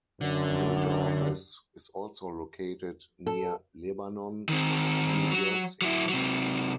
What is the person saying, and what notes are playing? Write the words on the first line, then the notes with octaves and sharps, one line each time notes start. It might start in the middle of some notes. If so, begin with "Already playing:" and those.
A major office is also located near Lebanon, New Jersey.
F#2 D3
A4
D#3 C4
F#3
F#3 E4
C3 F#3